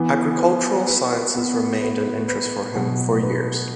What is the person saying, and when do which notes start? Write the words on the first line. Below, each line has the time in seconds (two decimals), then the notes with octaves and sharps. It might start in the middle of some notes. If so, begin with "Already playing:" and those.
Agricultural sciences remained an interest for him for years.
Already playing: E3 B3
0.39 B4
0.87 B4
1.35 B3
1.81 B4
2.28 B4
2.75 B2 F#3
3.22 B4